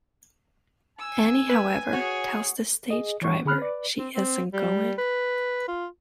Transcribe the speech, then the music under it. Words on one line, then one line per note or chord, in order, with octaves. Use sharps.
Annie, however, tells the stage driver she isn't going.
G#5 E6
B4
F#4 G#4 C#5
G#4 D#5
E3 C#5 C#6
D3 G#4 B5 F6 F#6
B4 D5
C4
C4
G3
B4
F4